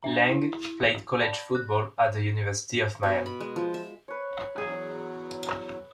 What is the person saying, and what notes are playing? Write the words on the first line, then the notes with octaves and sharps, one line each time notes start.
Lang played college football at the University of Miami.
D4 E5 A#5
E4
D5 A5 B5
F#6
B2
B5
G#3
F3
E5
B4 C#5
E2 F#3 G#4